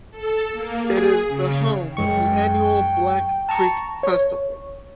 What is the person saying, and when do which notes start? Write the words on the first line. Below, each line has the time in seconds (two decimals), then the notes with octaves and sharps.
It is the home of the annual Black Creek Festival.
0.11 A4
0.52 A#3
0.82 G#4
1.27 C#3
1.97 F#2 G#3 G5 C#6
3.49 A5 A#5 C#6
4.03 C#5